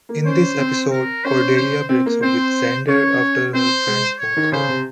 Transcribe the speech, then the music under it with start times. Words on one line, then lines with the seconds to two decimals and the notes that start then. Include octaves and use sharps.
In this episode, Cordelia breaks up with Xander after her friends mock her.
0.09 A#3
0.25 C#4 C5
0.58 C4
0.91 A#4
1.24 C#4 C5
1.57 C5
1.89 C4
2.06 A#3
2.22 C4 C5
2.88 C#4 C#5
3.54 C4 C5
3.87 G#3
4.19 C#5
4.37 D#3
4.52 C#3 C5
4.69 C3